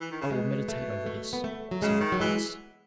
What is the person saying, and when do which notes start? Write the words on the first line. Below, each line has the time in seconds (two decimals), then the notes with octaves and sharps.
"I will meditate over this," said the prince.
0.01 E3
0.11 D#3
0.21 C#3
0.31 B2 G#3
0.69 A3
1.06 A3
1.33 B3
1.44 A3
1.71 F#3
1.82 C#3 G#3
2.01 D#3
2.12 F#3
2.20 E3 G#3